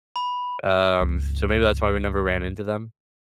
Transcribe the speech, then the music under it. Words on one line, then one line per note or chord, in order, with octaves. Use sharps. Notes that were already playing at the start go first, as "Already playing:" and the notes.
Um, so, maybe that's why we never ran into them,
B5
C#2 G2